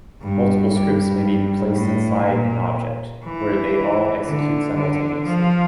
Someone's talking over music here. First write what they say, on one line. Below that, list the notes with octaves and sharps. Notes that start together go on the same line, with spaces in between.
Multiple scripts may be placed inside an object, where they all execute simultaneously.
G2
G2
A2
A#2
E3
D3
D3
F3